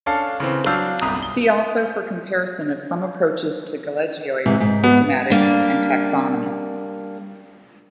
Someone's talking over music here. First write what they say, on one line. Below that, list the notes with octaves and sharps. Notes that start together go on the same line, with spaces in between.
See also for comparison of some approaches to gelechioid systematics and taxonomy.
C#4 D4 A4 F5 A5
C#3 E3 C4
F#3 D4 F5 E6 G6
G1 C2 A#5 D#6
G7
G#2 C3 E3
G#2
B3
G3 A#3 D4